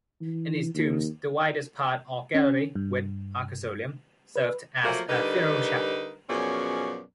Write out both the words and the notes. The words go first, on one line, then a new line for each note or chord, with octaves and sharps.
In these tombs, the widest part or gallery with arcosolium, served as a funeral chapel.
E3
D#2
C#4
G2
B4
F3 F#3 A3 A#3
D3 G3 D#4 A#4 B4
F#2 B2 F3 C#4 G#4 D5